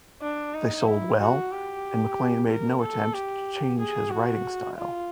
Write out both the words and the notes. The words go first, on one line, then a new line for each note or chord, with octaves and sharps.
They sold well, and MacLean made no attempt to change his writing style.
D4
D#4
E4
F#4
G4
A#4
A4
G4
G#4
F#4
F4